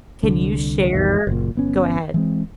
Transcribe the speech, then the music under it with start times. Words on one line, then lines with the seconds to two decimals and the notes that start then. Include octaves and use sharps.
Can you share Go ahead.
0.23 C2 D3
0.94 G#1 E2 B2 D#3
1.27 F#1 A#2
1.55 G1 B3 C#4
2.14 E3 G#3 C4